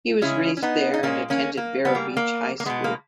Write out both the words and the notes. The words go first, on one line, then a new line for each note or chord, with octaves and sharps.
He was raised there and attended Vero Beach High School.
C#3 G#3 C#4 E4
C#4
B3 D#4
D#4
A#2 G#3 A#3 C#4
A#3 C#4
A#3
C#3 G3 B3
A#3
A#3
A#3
B2 G#3 B3
A#3